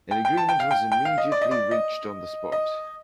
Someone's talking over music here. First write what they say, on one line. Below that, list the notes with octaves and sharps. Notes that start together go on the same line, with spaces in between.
An agreement was immediately reached on the spot.
G5
G5
A5
G5
F5
G5
G5
F5
D#5
D5
D#5
D5
D#5
D#5